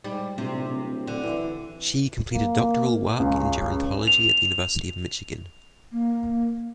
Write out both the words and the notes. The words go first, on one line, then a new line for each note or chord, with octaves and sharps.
She completed doctoral work in gerontology at the University of Michigan.
G#2 G3
D1 C3
D3
E3
A#3
C#2 C#3
F7
A#3